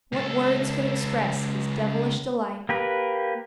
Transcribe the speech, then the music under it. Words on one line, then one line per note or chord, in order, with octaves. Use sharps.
What words could express his devilish delight!
C#2 A4
A#3 G4 B4